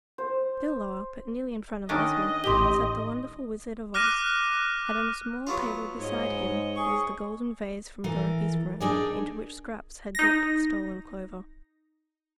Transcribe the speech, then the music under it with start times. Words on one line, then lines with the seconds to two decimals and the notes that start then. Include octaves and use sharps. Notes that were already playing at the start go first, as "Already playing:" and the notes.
Still lower, but nearly in front of Ozma, sat the wonderful Wizard of Oz and on a small table beside him was the golden vase from Dorothy's room, into which Scraps had dropped the stolen clover.
0.18 C5
1.89 D#3 C#4 D4 D#5
2.44 A1 A2 G4 C6 G7
3.94 D6 F6 F#6 A#6 D#7
5.47 F#3 B3 F4
5.98 G#2 C#5 D#5
6.76 G#4 C#6
8.04 E3 A4 A#4
8.80 D4 D#4 G#4 A#4 D5
10.15 D#4 A#6